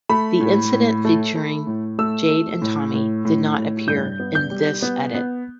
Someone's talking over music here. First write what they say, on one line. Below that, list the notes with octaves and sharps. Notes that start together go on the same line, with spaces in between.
The incident featuring Jade and Tommy did not appear in this edit.
A3 B5
A2
A2
A3
A3
A2
A3 E6
A3
A2
A2
A2
A2
G2 G6
B3
G6
G3
B3
B3